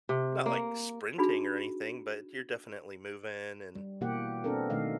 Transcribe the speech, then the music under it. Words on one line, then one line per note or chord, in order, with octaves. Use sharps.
not like sprinting or anything, but you're definitely moving and
C3
A#3
D4 D#4 F#4 G#4 B5
G3
B2 E3 A#3 G4 F#5
B3 C4 D4 A4 A#4
B2 D#3 A3 D#5 F5